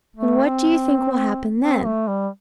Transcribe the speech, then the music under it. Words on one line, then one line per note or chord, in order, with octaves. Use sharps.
And what do you think will happen then?
A3
C4
C4
A3
G3